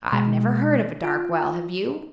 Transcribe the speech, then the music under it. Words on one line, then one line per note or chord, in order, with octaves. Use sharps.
"I've never heard of a dark well; have you?"
B2 G#3
F4